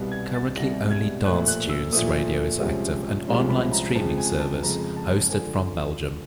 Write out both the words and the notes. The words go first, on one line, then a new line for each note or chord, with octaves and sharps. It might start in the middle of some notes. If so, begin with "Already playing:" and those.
Currently only Dance-Tunes Radio is active, an online streaming service hosted from Belgium.
Already playing: C2 B2 G3 B3
G#6
A6
C2 B2 G3 B3 A#6
G#6
A#2 F3 A3 F#6
F#6
E6
A#2 F3 A3 D#6
C2 C3 F3 G#3 C#4
C2 C3 F3 G#3 C#4
B5
A#5
F2 C#3 F3 G#3 A5
G#5
A5
F2 C#3 F3 G#3 A#5
A5
D3 F3 G#5